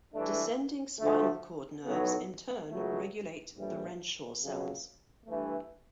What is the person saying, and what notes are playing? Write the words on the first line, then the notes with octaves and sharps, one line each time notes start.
Descending spinal cord nerves in turn regulate the Renshaw cells.
G2 E3 A3 D4
D2 D3 F3 A3
B1 A2 F#3 B3
C#2 C#3 F#3 A3
A#1 A2 E3 G3
F2 C#3 F#3
G2 E3 A3